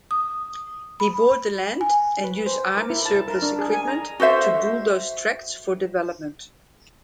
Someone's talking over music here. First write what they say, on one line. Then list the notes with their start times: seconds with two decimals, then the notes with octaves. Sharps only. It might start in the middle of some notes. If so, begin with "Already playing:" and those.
He bought the land and used army surplus equipment to bulldoze tracts for development.
0.11 D#6
1.00 B5
1.81 G#5
2.24 B4
2.46 C5
2.65 D6
2.77 A#4
2.90 E4
3.05 A5
3.28 A#4
3.42 D4
3.59 G#4
3.73 G#5
3.88 A#5
4.20 F#4 A4 C5 E5